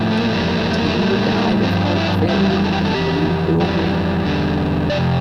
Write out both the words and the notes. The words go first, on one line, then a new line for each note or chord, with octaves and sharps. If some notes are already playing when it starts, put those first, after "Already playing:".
Taylor died of heart failure in Blue Hill, Maine.
Already playing: A2 F3
A3
A#3
A3
F2 E3 G3 A#3
A3
A#3
A3
A#3
A3
A#3
A3
A#3
A2 G3 A3
A#3
A3
A#3
A3
A#3
A3
G2 F3 C4
D4
E4
D4
F2 E3 G3 E4
E4
F4
A4
G4
A4
F2 E3 G4
F2 E3 G3
E2 D3 G3
F2 C3 D5